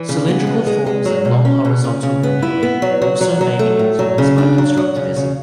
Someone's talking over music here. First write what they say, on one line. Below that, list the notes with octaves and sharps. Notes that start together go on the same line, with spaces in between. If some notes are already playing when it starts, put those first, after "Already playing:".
Cylindrical forms and long horizontal windowing also may be influenced by constructivism.
Already playing: E3
C#3
B3
G#3
G#3
G#3
F#3
B2
C#4
B2
C#3
C#3
B3
E4
B3
F#3
F#3
F#3
F#3
A3
A2
F#3
C#3
D4
F#3
F#3
C#3
C#3